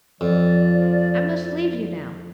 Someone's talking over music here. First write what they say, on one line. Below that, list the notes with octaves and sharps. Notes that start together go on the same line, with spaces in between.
I must leave you now.
F2 F3 D5